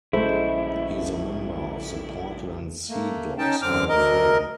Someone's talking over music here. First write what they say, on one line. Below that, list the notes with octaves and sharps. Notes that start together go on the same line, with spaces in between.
He is a member of the Portland Sea Dogs Hall of Fame.
A#1 C#3 G#3 A3 E4 C5
A3 A#3
C#4 D#4 G5 A5
F#2 D3 C4 D6 F6
D2 A#4 D#5